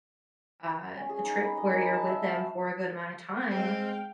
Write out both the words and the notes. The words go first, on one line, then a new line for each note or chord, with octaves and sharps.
uh, trip where you're with them for a good amount of time
C#4
G#4
D#4
B4
D#5
A#3
B4
A5
E5
F#4
F5
G#3 C4 G#4 D#5 F5 G5